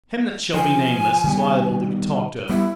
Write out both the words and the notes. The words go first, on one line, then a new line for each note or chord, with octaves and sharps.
Him that shall be nameless is liable to be talked over.
F3 G#5
D#3 G3 B3
G3 B3 E4